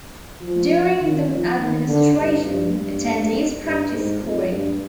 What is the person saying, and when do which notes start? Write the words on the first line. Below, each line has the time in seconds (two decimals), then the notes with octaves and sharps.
During the administration attendees practice scoring.
0.42 F3
1.00 D#3
1.29 F3
1.59 D#3
1.87 D3
2.17 G2
2.46 G2
2.75 G2
3.63 G2
3.92 G#2
4.22 F2
4.50 G2